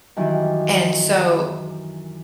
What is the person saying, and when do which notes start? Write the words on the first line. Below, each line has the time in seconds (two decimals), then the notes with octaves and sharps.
and so
0.16 F#2 D#3 E3 G3